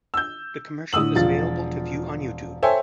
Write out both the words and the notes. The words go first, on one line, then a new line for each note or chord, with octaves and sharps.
The commercial is available to view on YouTube.
E6 G6
A2 D3 D#6 E6 F#7
E1 F3 F4 A6
A4 C5 C#5 E5 G5 G#5